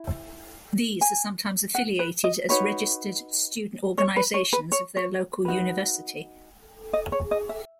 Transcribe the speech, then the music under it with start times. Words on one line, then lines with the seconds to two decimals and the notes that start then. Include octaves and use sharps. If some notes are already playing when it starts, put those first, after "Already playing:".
These are sometimes affiliated as registered student organizations of their local university.
Already playing: E4
1.01 G#5
1.75 F#5
1.99 B4
2.24 D#5
2.49 D#4 F#4 B4 C#5
3.98 C#5
4.16 B4
4.34 C#5
4.53 B4
4.72 C#5
4.97 C#5
5.45 D#4 F#4 B4
6.93 D#5
7.12 C#5
7.31 D#5
7.49 E5